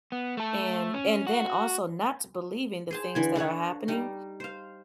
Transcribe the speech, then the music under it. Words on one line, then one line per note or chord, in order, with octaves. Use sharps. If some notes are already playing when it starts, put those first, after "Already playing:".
and and then also not to believe in the things that are happening,
B3
A3 A4
C#4
F#4
G#4 C5 A5
D3 E3 G#5
D4 A4 B4 C#5
G3 D#4
C5 F5